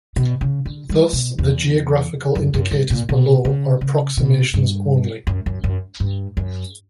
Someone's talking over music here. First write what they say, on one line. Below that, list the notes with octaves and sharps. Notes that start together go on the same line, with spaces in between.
Thus, the geographical indicators below are approximations only.
B2
C#3
D3
G3
B2
E2
F#2
F#2
G2
A#2
B2
C#3
C#3
B2
G2
F#2
F#2
F#2
G2
F#2